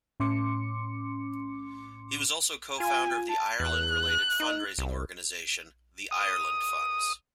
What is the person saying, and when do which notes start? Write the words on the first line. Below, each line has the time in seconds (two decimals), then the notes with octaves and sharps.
He was also co-founder of the Ireland-related fundraising organization The Ireland Funds.
0.20 A2 C#4 C6 D6 C#7
2.80 F4 G#5
3.29 A5
3.60 E2 F#6
4.40 D#4
4.78 C2
6.11 D#6